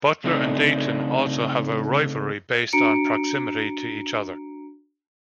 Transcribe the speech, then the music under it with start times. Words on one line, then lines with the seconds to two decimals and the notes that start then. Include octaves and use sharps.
Butler and Dayton also have a rivalry based on proximity to each other.
0.24 C#3 A3 C4 D4 D#4
2.73 D4 F#4 A#5 C#7 D7